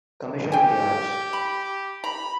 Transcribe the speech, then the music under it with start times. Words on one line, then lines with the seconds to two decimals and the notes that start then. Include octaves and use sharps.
Commission on the Arts.
0.52 G4 G5 G#5
1.33 B5
2.04 A#5 B5